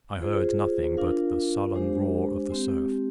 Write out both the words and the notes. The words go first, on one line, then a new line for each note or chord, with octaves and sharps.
I heard nothing but the sullen roar of the surf.
F4 G#4 C5
D4 F4 A#4 F5
G#3 D4 G4 C5
G#3 C4 G4